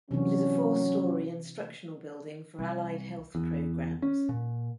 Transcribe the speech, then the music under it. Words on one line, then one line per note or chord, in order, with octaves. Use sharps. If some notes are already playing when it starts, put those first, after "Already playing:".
It is a four-story, instructional building for allied health programs.
C3 E3 F#3 C#4 D4
C2
E2
C#4
A#2